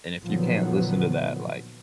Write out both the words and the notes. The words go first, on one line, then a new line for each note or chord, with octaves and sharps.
and if you can't listen to that, like,
A#2 D3 D#3 F3 F#3 B3